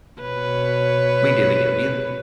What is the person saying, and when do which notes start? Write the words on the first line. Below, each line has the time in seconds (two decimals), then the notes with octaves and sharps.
We do, we do. We've
0.22 B2 B4 C#5